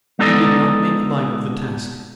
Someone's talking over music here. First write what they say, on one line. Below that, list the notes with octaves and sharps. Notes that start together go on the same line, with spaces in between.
He did not make light of the task.
G#3 B3 D#4 A4 D5 D#5